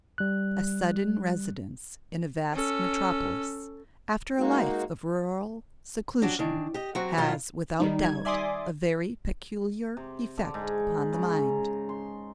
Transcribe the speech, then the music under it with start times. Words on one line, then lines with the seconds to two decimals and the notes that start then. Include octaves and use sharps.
A sudden residence in a vast metropolis, after a life of rural seclusion, has without doubt a very peculiar effect upon the mind.
0.18 G3 F#6
2.54 C#4 A4
4.38 G#3 A#3 D#4 F#4
6.22 F#3 D4 F#4 G4 D5
6.39 D#3 E3 D4
6.74 G4 D#5
6.95 F#3 C4 F#4
7.17 B2 F3 F#3 A3 E4 F4
7.80 D#3 G3 D#4
8.01 G3 G#6
8.25 D5 E5 G#5 C6 D6 D#6
9.97 C3
10.38 D3
10.54 G#2
11.13 C#3
11.39 A#5
11.89 C6